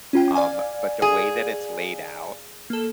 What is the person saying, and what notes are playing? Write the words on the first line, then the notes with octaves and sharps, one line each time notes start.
um, but the way that it's laid out
C#4 F4 G5
D5 F5 G#5
G#4
A#3 A4